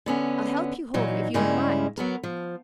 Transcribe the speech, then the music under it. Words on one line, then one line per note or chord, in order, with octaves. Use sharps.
"I'll help you home if you've a mind."
D3 B3 C#4
A#2 E3 F#3 D#4
G2 C#3 G3 G#3 C#4 E4
F#3 B3 A#4
F3